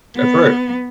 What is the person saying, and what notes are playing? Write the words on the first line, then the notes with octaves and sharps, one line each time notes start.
That's right.
B3